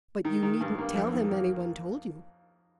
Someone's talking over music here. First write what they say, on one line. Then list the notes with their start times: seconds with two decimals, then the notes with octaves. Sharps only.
"But you needn't tell him any one told you."
0.25 D#3
0.43 D#3
0.61 G2
0.78 A#3
0.95 F2
1.13 D#3
1.30 A#3